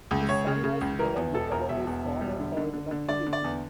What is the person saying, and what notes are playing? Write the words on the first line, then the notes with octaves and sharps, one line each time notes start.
His son has written a book about his father called "Lucky Eddie".
C#2
C#2 C#5
C#3
C#3
C#2
E3 A#4
E2
E1 A4
E2 A#4
E1 E5
E2
E1
G3
D3
D3
D3
D3
D3 D5
D3
D5
E2